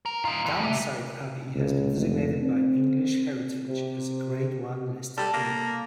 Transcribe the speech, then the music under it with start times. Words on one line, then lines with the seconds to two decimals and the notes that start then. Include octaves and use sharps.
Downside Abbey has been designated by English Heritage as a grade one listed building.
0.06 A#4
0.25 D#4 F4
0.46 F2 E3
0.64 G4 E5
1.55 C#2
1.96 F1
2.43 C4
3.68 C3
5.18 G3 A4
5.33 A#3